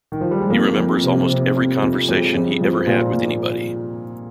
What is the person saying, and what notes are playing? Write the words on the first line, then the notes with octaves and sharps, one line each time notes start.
He remembers almost every conversation he ever had with anybody.
D#3
F3
G3
G#3
F2 A#3
F2
C3
C3
F2
F2
F2 G#3
F2
F3
A#2
A#2 A#3